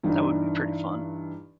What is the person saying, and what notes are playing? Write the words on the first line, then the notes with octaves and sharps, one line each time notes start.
That would be pretty fun.
G2 E3 D4 D#4